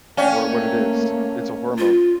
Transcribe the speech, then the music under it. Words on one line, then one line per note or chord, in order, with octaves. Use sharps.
or what it is? It's a hormone.
A3 A#3 C#4 D5 F5 G5
F4